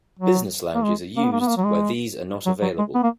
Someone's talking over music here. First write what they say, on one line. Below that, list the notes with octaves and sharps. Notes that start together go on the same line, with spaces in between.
Business lounges are used where these are not available.
F#3
A#3
G#3
A#3
B3
A#3
B3
A#3
F#3
G#3
F#3
F#3
G#3
B3
A#3